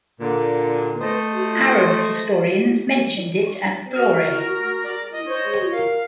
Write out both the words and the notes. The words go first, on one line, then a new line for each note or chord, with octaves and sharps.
Arab historians mentioned it as Blore.
A#2 D3
A3 C5 D#5
F#4 A#4 F6
D5
D#5
C5 C#5
A#4 F5